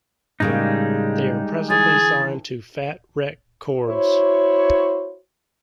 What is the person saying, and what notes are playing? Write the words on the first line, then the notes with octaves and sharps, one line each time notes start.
They are presently signed to Fat Wreck Chords.
A2 C#3 G3 G#3 A#3 D#4
D3 E3 G#4 A6
E4 F#4 C5 C#5